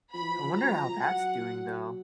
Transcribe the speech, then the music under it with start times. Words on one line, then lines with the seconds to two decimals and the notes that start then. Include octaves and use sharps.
I wonder how that's doing though.
0.14 F3 B5
0.21 E3
0.29 F3
0.42 F3
0.57 F#3 A#5
0.72 F3
1.01 F#3 F#5